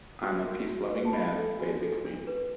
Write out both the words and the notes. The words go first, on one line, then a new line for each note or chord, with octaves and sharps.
I'm a peace-loving man, basically.
F#4 C#6
F#4
F#4
B4
A5
C#4 B5
A4
F#4 G#5
A4
D4
B4